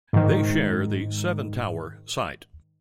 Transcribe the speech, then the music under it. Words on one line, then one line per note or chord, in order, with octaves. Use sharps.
They share the seven-tower site.
G#2 D#3